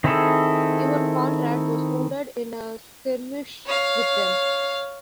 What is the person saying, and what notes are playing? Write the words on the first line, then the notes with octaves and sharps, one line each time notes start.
Even Conrad was wounded in a skirmish with them.
D#3 C4 E4 G#4 A4
C#5 F5